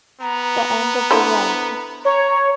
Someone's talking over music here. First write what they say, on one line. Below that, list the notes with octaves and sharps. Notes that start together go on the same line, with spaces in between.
The end of the Revd.
B3 A#5
D3 E4 C5
C#5 A#5